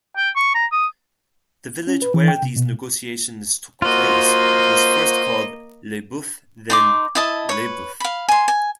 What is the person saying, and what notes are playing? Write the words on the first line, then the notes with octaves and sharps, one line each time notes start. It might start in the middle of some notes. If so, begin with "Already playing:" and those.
The village where these negotiations took place was first called "Les Boeufs" then "Lesboeufs".
G5
C#6
A#5
D#6
C#4
B4
E3
G5
C3
B2
A#3 F4 F#4 C5 D#5
D#4 C6 D6
E4 D#5 A5
B4 C#5
F5 B5
G#5 C6
G#5